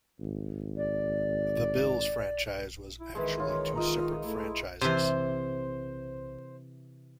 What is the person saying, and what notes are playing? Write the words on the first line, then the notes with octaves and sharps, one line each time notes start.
The Bills franchise was actually two separate franchises.
G#1
D5
E4
D#3 E3 G#3
F4 C#5
F4 D#5 A#5
A3 E4
C3 E3 C5